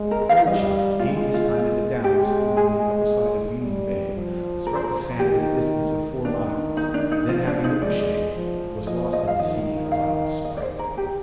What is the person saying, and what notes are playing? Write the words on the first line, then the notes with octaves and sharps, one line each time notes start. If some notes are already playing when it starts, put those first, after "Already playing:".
The third shot, aimed this time at the downs forming the upper side of Union Bay, struck the sand at a distance of four miles, then having ricocheted: was lost in the sea in a cloud of spray.
Already playing: G#3
A#4
F5
G3 D#5
G#3 F4
F4
F4
G#3 G4
G#4
G3
F3
A#4
C5
A#4
D#3 G4
D#3 D4
D#4
D4
D#4
F3 F4
D4
D#4
G#3 D5
F3
F3 D#5
D#5
F5
D#3 D#5
D#5
F5
D#5
D5
C5
A#4
G4